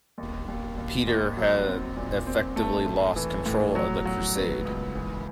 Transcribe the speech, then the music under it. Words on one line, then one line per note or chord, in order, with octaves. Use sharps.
Peter had effectively lost control of the crusade.
D#2
D#2
D#2
D#2
F#3
C4
A#2
C4
A3
A2
E3
A2
F#3
F#3
B3
C#2
E3